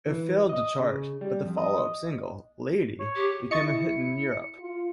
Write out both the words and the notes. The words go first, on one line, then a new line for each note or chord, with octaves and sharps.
It failed to chart, but the follow-up single, "Lady" became a hit in Europe.
E3
D#5
C#3
G3
F2
D#5
C#5
G4
E4 D#5 C#6 A6 C#7
F4